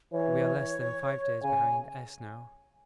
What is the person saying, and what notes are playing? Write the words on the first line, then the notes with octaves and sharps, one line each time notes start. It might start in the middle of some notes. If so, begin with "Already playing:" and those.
We are less than five days behind S. now.
E3 C#5
C#3 G#5